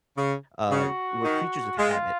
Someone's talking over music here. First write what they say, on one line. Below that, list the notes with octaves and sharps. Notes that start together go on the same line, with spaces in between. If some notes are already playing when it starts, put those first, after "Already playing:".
uh, we're creatures of habit,
C#3
C#3 F#4
D#3
G#3 F4